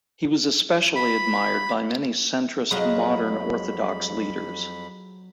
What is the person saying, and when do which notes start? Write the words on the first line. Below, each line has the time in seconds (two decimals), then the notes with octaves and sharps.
He was especially admired by many centrist Modern Orthodox leaders.
0.95 B5
2.71 F2 F#3 G#3 D#5 F5 B5